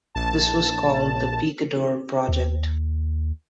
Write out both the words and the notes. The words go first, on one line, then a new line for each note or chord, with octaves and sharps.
This was called the Picador project.
A#1 A5
D#2